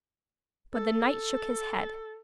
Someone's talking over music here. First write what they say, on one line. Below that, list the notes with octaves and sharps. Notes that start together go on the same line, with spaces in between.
But the knight shook his head.
A4